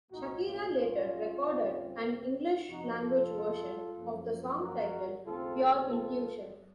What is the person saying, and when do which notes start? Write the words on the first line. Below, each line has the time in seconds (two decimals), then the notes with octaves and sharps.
Shakira later recorded an English-language version of the song, titled "Pure Intuition".
0.11 C2 A#2 A3 D#4 F#4
0.44 C#4 F4
0.76 C#4 F4
1.40 D#2 C#3 A3 C4
2.69 F2 C3 F3 D#4 F#4
3.01 F4 A4
3.97 F#2 F3 A#3
4.61 F#4 A#4
5.25 D#2 C#3 A3 C4 F4 A4
5.89 F4 A4